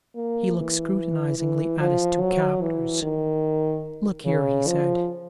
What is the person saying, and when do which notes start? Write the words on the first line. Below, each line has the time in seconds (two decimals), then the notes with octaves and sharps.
He looked scrutinizingly at his two captors. "Look here!" he said.
0.15 A#3
0.56 E3
1.39 E3
1.79 F3
2.20 F#3
2.62 E3
3.03 D#3
4.25 C#3
4.67 F3